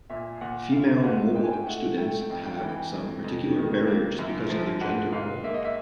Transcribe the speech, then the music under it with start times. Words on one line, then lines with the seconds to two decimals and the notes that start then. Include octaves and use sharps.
Female mobile students have some particular barriers because of their gender role.
0.10 A#2 E5
0.41 A#2 F#5
0.72 A3 F5
1.03 G#2 F#5
1.36 G#2 G5
1.44 G#5
1.53 G5
1.66 A3 F#5
1.98 A3 G5
2.21 G5
2.30 F2
2.46 G5
2.61 E3
2.68 G5
2.93 F2
3.24 F2
3.56 D#3
3.87 A#3
4.19 F#2
4.50 F3
4.81 G#2 F#5
5.12 G#2 F5
5.44 A#3 E5
5.54 D#5
5.65 E5